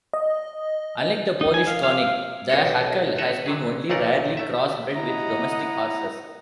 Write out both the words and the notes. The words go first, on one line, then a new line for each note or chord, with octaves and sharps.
Unlike the Polish Konik, the Hucul has been only rarely cross-bred with domestic horses.
D#5
D#4
G#5
F5
F5
B1 D4 D#4 F#4 A4 C#5
F#4 A4 B4 C#5 E5
C3 F#3 G#4
B1 A#2 A3 F4 A#4 F#5
A3 E5
E4 D#5 F#5 A#5